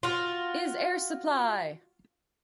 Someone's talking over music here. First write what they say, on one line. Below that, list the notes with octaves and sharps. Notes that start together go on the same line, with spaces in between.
Is Air Supply!
F4 F#4